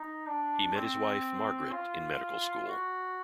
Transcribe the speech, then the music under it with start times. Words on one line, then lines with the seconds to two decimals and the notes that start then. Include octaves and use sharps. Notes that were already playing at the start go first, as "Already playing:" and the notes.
He met his wife, Margaret, in medical school.
Already playing: D#4
0.27 D4
0.75 C4
1.72 F4
2.69 F#4